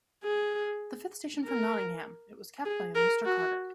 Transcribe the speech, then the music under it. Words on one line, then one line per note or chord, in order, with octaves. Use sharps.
The fifth station from Nottingham, it was kept by a Mr. Carter.
G#4
A#4
G#4
A#4
F#4